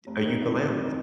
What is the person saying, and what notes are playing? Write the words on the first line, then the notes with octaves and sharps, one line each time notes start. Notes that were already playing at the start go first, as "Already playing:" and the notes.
a ukulele.
F1
D#3
F2
F2
D#3